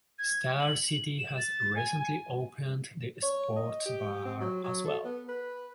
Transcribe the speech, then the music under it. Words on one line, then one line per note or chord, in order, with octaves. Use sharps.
Star City has recently opened the sports bar as well.
G#6
F#7
E7
A6
G#5
G#5
C#5
D#5
G4
C4
F#3
F#3
A4
B3
B4